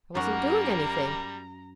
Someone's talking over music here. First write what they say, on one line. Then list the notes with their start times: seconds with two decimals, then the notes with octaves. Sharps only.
"I wasn't doing anything."
0.15 F#2 G3 A#3 F#4 A#5